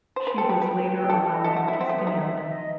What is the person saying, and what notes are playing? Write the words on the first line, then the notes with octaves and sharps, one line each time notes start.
She was later allowed to stand.
C5
B4
A4 G5
B4
B4
G5
G5
A4
D#5
A4 E5
F#4
E4
C4
A3
B3
D#4
D#5